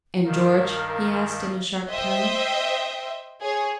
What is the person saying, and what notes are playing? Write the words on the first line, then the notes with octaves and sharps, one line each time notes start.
"And George?" he asked in a sharp tone.
G2 D#3 A#4 F5
C5 D#5 E5 G5
G#4 C#5